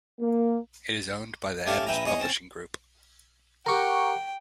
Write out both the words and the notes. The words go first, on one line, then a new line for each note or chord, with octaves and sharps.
It is owned by the Adams Publishing Group.
A#3
A3 C#4 G4 A4 F5
A#1 B4 E5 G5 G#5 A#5
E2 G#4 C#5 D#5 G#5 C#6
C4 C#4 A5
G4 A#4 F#5 G5 A#5 C#6